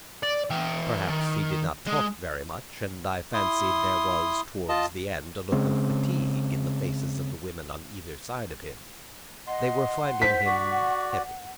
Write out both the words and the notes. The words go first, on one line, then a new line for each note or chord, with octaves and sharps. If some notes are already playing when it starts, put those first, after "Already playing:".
Perhaps he did not talk very much, and I fancied there was towards the end a look of fatigue in the faces of the women on either side of him. They were finding him heavy.
D5
E3 G5
D#3
G#3
E4 C6 D#6
F4 D#5 A5
C#3 G#3 C4
D#5 F#5 C6
C5 B6
F#4 D5 C#6